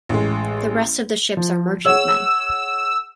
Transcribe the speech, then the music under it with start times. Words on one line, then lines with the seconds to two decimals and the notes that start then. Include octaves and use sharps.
The rest of the ships are merchantmen.
0.09 A1 G#3
1.37 F3
1.85 G#4 C#5 F#5 E6